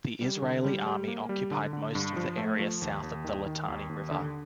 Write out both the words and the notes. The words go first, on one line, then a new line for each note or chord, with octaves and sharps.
The Israeli Army occupied most of the area south of the Litani River.
G3
D3
G3
G3
A#3
G3
D3
D3
G2
F3
A3
F3
D#2
D#2
D#3
D#3
D#2
D#2
D3